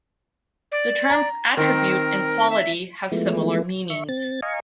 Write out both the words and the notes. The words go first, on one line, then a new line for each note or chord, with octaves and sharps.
The terms attribute and quality have similar meanings.
D5
A#5
D#3 C4 A#4
E5
F3 G#3 A3 B3 E4
E5 C#6
C4 A6
D#5 F5 G#5 A#5 C#6